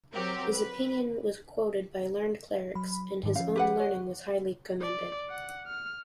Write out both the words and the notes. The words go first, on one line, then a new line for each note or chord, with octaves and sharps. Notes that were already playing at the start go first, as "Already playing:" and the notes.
His opinion was quoted by learned clerics, and his own learning was highly commended.
F#3 C4 G4 A#4
B4
F#3 B5
G#2 D#3
F3 C#4 F5
G4 B4 F#5
C#5
D5
F#5
F6